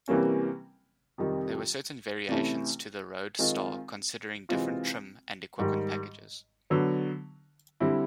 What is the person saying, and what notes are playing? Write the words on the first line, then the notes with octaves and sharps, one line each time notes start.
There were certain variations to the Road Star considering different trim and equipment packages.
C3 E3 G3 A#3 C#4
F2 C3 D#3 G3
C3 E3 A3 C#4 E4
D#3 G#3 C4 F4
C3 E3 G#3 C4 F4
G#2 D#3 G3
D3 F#3 B3
D3 G3 C4 E4